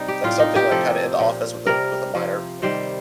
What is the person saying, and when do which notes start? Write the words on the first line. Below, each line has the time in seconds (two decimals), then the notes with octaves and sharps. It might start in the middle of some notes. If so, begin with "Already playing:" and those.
like, something, like, kinda in the office with a with a minor
Already playing: C3 G3 D#4
0.08 G4
0.24 A2 G3 F4
0.40 D#4
0.56 G4
0.71 C3 F3 A4
1.19 A#2 F3
1.67 C3 G3 A#4
2.15 C3 F3
2.62 C3 D#3 G3 C5